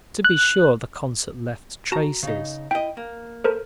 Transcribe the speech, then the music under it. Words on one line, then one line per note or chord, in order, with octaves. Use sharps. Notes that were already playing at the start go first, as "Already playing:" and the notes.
To be sure, the concert left traces.
F#6
F#4 A5 A#5
C#3 D#4
E4 D#5 G5
A#3
A4 A#4 C5